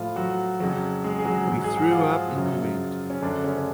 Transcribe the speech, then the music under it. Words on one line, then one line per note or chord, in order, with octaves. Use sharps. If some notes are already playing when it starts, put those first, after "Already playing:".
We threw up in the wind.
Already playing: A2 F3 F4
F#3 F#4
F2 C#3 F#3
G#3 G#4
G#4
F#3 F#4
G#2 F#3
G#4
F#4
F3 F4
F#2 C#3 F#3
C#4
F#2 D3 F3 D4
C#3 C#4
C#4